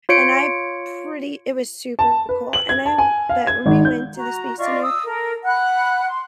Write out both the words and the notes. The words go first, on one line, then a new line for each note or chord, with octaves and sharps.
and I pretty it was super cool, and I but when we went to the space center,
F4 C#5 C#7 D7
A5
B4
F#7
G#6
A5
G#5
F5
G#6
G#1
G6
F#4 A#5
F4 D5 D#5 C#6
D#6 E6
A4 A#4
F#5 B5 F#6
C6